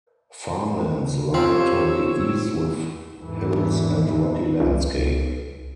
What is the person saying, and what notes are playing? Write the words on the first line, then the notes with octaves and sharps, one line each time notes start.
Farmlands lie to the east with hills and rocky landscape.
C4 F4 G4 C#5 E6
E2 G#2 D3 E3
C#2